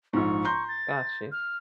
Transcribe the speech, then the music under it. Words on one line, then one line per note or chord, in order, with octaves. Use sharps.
Got you.
A#1 G#2 C#6
A#5 C6 G6
A6
F6